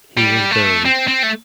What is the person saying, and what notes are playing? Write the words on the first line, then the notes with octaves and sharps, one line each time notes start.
He was buried.
G3
A3
C4
C4
A3